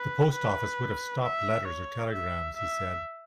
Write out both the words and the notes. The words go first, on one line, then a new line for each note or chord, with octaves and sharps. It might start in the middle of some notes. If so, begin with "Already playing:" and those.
"The Post Office would have stopped letters or telegrams," he said.
Already playing: B4
B4
E5
C#5
E5
E5